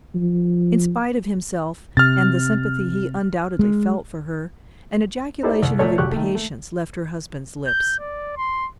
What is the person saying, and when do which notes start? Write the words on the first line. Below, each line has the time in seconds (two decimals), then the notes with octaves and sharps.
In spite of himself and the sympathy he undoubtedly felt for her, an ejaculation of impatience left her husband's lips.
0.15 F3
1.97 C3 F6 A6
3.59 G#3
5.43 D#4 E4 G4 A4 C5 D5
5.63 C2
5.79 A#2 A3 C#5
5.98 C2 F#3 G4 C#6 F#6
6.12 D#3 A3
6.35 A3
7.67 G6
8.00 D5
8.37 C6